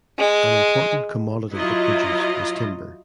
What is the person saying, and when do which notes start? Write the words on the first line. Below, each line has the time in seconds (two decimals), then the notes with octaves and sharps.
An important commodity it produced was timber.
0.19 G#3
1.55 F#3 E4 F4 D#5